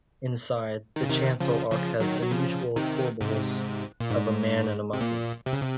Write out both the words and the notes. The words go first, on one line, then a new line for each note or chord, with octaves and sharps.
Inside, the chancel arch has unusual corbels of a man and a monkey.
D#3
C#3
C3 D#3
C#3 F3
C#3 F3
D#3 F#3
F#3
C#3 F3
C3 D#3
G#2 C3
A#2
G#2
C3
A#2
C3
C#3
C3